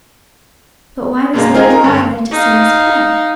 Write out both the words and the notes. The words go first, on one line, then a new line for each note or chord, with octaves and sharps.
But why does Lady Why like to see us play?
F#2 B2 G#3 A#3
C4 D#4 F4 G#4 A#4
A#4
G2 D3
D#4 F5